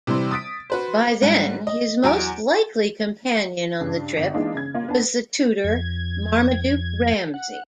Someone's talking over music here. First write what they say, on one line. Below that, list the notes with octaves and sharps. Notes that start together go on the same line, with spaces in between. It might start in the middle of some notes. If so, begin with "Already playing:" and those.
By then his most likely companion on the trip was the tutor Marmaduke Ramsay.
C3 E3 G3 C5
D#6 A6 B6 D7
F#4 B4 C5
G#2 G3
D#5
E2 F#3 G#5 A#5 D7
G2 C#3 D4
G1
E3 G#3 A#3 D4 D#4 F4
C#3 G#6
A#3 F4
B3 D4 A5
F2 G#6
F#5